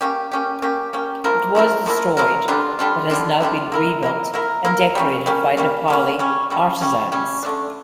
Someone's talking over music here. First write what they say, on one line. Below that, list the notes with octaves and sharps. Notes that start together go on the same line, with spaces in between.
It was destroyed but has now been rebuilt and decorated by Nepali artisans.
A#3 C#4 G4
A#3 C#4 G4
A#3 C#4 G4
A#3 C#4 G4
F3 A#3 E4 A#4
F3 A#3 E4 A#4
F3 A#3 E4 A#4
F3 A#3 E4 A#4
D3 G3 D4 F4
D3 G3 D4 F4
D3 G3 D4 F4
D3 G3 D4 F4
A#3 E4 A#4
A#3 E4 A#4
A#3 E4 A#4
A#3 E4 A#4
G3 A#3 C#4
G3 A#3 C#4
G3 A#3 C#4
G3 A#3 C#4
C#3 G3 C#4
C#3 G3 C#4
C#3 G3 C#4
C#3 G3 C#4
D3 A3 D4